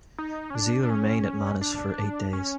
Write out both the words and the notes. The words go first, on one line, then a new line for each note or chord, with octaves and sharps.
Zeal remained at Manus for eight days.
D#4
C#4
D4
D4
C#4
D4
C#4